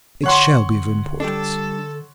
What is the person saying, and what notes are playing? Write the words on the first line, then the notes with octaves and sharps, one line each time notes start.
"It shall be of importance."
D3 C#5 F#5 C6
G3 D4 A4